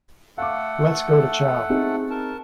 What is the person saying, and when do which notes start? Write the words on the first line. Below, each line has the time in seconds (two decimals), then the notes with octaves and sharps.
Let's go to chow.
0.38 A3 A4 F5 F#5 D6
1.70 C4 D#4 G#4
2.10 A#4 A5